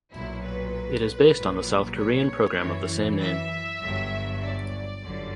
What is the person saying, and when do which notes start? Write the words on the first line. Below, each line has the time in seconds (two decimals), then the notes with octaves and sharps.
It is based on the South Korean programme of the same name.
0.13 B1 A#2 F#3 E4
0.44 B4
1.36 A#1 A#2 F#3
1.97 C#5
2.59 F#2 E3
3.21 E5
3.81 G1 G2 F#3
4.43 D5
5.04 G1 F#2 D3